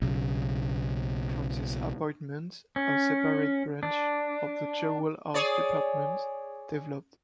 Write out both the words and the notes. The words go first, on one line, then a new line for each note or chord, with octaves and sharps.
From this appointment, a separate branch of the Jewel House Department developed.
B1 C#3
C#4
D4
G#4 C#5 D5